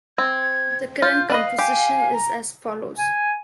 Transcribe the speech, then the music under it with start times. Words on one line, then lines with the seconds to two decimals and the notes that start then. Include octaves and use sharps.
The current composition is as follows.
0.18 C4 G#6
1.02 F4 G6
1.30 D4 B4 D#5 F5
1.58 G4 G#5
2.13 A#5
2.98 G#5